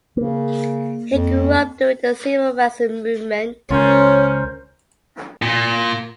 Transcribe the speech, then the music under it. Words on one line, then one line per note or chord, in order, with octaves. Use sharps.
He grew up during the civil rights movement.
C#3 A#3
F2
C#2 C#4 F4 A#4 C5 C#5
A#2